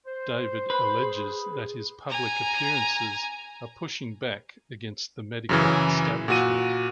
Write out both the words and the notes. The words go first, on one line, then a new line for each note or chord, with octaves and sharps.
David alleges that his public appearances are pushing back against the medical establishment.
C5
B4
G#4
G#5 A#5
F#2 C#3 E3
A#2 F#4 D#7